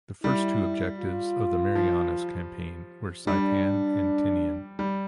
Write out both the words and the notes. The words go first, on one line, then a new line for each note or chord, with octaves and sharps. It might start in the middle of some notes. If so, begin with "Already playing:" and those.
The first two objectives of the Marianas campaign were Saipan and Tinian.
G3 E4
F4
F3
G3 D4
G3